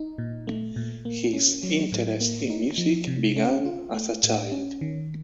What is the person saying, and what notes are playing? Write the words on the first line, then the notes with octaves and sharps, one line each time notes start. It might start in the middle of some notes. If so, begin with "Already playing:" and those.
His interest in music began as a child.
Already playing: D#4
A#2
A3
A#2
A#3
C#4
F#3
A2
A#3
D#4
F3
C3
C#4
F4
A3
A2
C#4
D#3